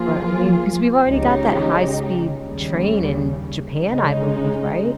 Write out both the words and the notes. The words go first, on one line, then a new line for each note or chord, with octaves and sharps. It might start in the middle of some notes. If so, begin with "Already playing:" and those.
But, I mean, 'cause we've already got that high-speed train in Japan, I believe, right?
Already playing: F3 A#3 F4 G#4
C#2 C#3 G#3 D#4 G4
D#2 C#3 G3
C#3 G#3 D#4